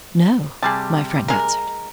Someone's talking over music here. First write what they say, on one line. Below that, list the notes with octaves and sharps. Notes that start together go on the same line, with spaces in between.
"No," my friend answered.
C3 G3 G#4 A5
G#3 A#4